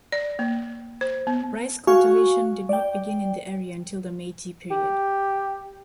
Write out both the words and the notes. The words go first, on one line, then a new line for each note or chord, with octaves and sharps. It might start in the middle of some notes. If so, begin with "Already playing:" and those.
Rice cultivation did not begin in the area until the Meiji period.
D5
A#3
C5
B3
F#4 F5 G#5 C#6
D5 G5
G4